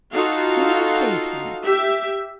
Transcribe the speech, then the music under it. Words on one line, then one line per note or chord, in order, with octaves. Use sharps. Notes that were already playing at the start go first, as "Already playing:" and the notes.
We will save him.
D#4 F4 F#4 A4 F5
G4 E5